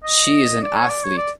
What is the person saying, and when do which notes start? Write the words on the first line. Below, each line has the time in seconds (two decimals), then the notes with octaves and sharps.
She is an Athlete.
0.04 D#5
0.63 D5
0.77 C#5
0.90 D5
1.05 C#5
1.17 D5